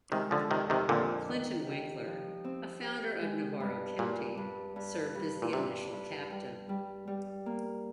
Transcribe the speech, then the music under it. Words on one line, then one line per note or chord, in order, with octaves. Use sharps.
Clinton Winkler, a founder of Navarro County, served as the initial captain.
C3 D#3 G#3
D3 F3
F2 C3 D#3
C3 D#3
F2 A#2 D3
D#3
G4
F3
C4
G4
G#3
G2
G2 A#2
G2
G2
G2
A#2
G2 C3
G2
G3
G3
G3
A#3